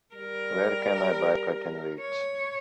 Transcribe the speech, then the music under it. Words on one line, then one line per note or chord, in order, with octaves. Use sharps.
Where can I buy curtain weights?
G3 A#4
C#5